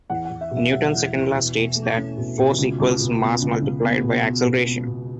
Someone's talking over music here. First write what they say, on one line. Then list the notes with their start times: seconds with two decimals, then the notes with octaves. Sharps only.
Newton's Second Law states that force equals mass multiplied by acceleration.
0.10 E2 F#5
0.25 F#5
0.31 E2
0.41 E5
0.51 B2
0.57 E5
0.72 F#3 E5
0.93 E2
1.14 E2
1.34 B2
1.55 B2
1.75 A3
1.97 C#4
2.17 B2
2.38 B2
2.59 C#2
2.80 C#2
3.00 B2
3.21 B3
3.42 C#2
3.62 C#2
3.83 B3
4.04 B2
4.25 B3
4.45 B2
4.66 B3
4.87 B2